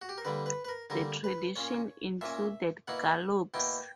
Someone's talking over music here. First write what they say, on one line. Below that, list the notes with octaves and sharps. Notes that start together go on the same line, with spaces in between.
The tradition included galops.
F#4
G4
A#4
D3 G3 A#3 B4
B4
B4
A#4
D3 G3 A#3 A#4
B4
A#2 A#3 C#4 C#5
A#2 A#3 C#4 E5
B2 A#3 E4 F#5
B2 A#3 E4 G5